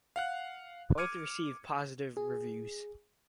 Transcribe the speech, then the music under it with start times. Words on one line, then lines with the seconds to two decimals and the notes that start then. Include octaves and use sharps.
Both received positive reviews.
0.16 F5 F#5 F#6
0.98 D6 F6 G#6 C#7 D#7
2.17 G#4